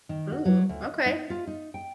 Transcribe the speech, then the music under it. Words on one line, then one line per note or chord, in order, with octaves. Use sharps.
Ooh, okay.
D#3
F#4
F#3
D2
D#5
D#4
F4
D#4
G5